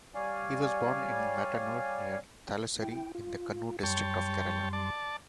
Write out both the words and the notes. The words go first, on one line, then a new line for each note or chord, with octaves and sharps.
He was born in Mattanur, near Thalassery, in the Kannur district of Kerala.
G3 C#5 D5 F5 G#5
E4 G5
F4
F#2 G3 C#5 G5 A5 C6
D5 A5